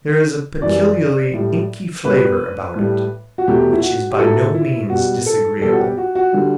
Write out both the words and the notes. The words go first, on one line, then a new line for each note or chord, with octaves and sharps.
There is a peculiarly inky flavor about it, which is by no means disagreeable.
F#2 E3 G3 D5
A2 G3
B2 G3 B4
A2 G3
F#4
E2 B2 F#3 A3 G4
E4
F#4
G4
A2 F#3 A3 A4
E4
B2 G3 F#4
A4
B2 G3 A4
F#4
G4
F#4
F#4
D3 G3